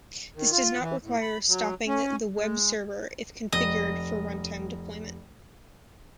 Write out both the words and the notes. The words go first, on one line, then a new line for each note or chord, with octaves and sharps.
This does not require stopping the web server if configured for runtime deployment.
D#3
F4
E3
A2
B5
F#3
C#4
G#3
F1 D#5